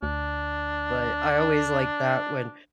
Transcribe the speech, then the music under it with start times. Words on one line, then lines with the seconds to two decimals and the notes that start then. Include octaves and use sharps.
but I always liked that when
0.03 D2 D4